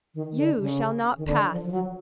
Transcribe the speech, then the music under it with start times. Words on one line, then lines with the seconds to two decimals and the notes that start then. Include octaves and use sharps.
"You shall not pass!"
0.15 D#3
0.36 D3
0.60 C#3
1.17 D#3
1.27 D3
1.50 F3
1.65 F3
1.72 F#3